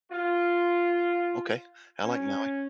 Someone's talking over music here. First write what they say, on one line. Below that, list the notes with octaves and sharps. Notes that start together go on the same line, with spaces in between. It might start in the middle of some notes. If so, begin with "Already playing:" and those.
Okay. I like Maui.
F4
C#4